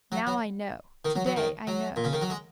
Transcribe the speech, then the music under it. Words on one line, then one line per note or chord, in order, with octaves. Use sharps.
Now I know--to-day I know.
F#3
F#3
D#3
F#3
F#3
D#3
F#3
A#2
C#3
D#3
F#3
G#3